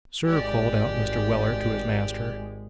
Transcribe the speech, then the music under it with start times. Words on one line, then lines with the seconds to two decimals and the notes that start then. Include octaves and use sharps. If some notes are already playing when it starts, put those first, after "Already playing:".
'Sir,' called out Mr. Weller to his master.
0.24 G#1 G#3 G4 D5